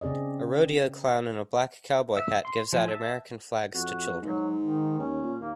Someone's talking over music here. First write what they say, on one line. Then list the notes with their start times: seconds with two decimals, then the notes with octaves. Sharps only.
A rodeo clown in a black cowboy hat gives out American flags to children.
0.01 C#3 C4 G#4 D5 D#5
2.17 E5
2.45 C6
2.73 F3 G#5
2.88 E5 A5
3.74 F2 F#4
4.22 G#2 F#3
4.63 D#3
4.99 D#2 C#4
5.22 A#2
5.41 D#2 A#3